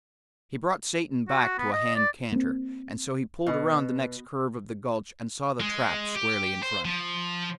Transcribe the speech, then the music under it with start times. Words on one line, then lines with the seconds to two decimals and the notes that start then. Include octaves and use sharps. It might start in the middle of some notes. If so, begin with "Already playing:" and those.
He brought Satan back to a hand canter, and so he pulled around the next curve of the gulch and saw the trap squarely in front.
1.29 F#4
1.58 B3
1.73 D#5
1.95 D5
2.32 A#3 C4
3.47 B2
5.60 G#3
6.15 G4
6.63 C5
6.85 F3